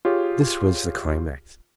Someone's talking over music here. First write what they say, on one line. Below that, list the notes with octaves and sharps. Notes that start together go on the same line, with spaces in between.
This was the climax.
F4 G4 G#4 C#5